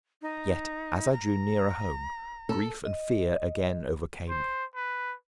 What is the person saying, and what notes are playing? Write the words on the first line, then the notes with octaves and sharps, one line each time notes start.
Yet, as I drew nearer home, grief and fear again overcame me.
D#4
A#5
A4
D#5
C5
B4